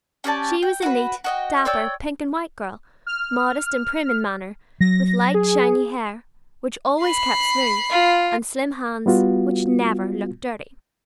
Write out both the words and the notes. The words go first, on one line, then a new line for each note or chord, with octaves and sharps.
She was a neat, dapper, pink-and-white-girl, modest and prim in manner, with light shiny hair, which always kept smooth, and slim hands, which never looked dirty.
C#4 G4 D5 A5
G5
F#4 B4
F#4 D#5 G5
C#5 D5 G5 E6
F6
F#3 A#6
G#4
B5 C7
F4
G3 B3 F4 F#4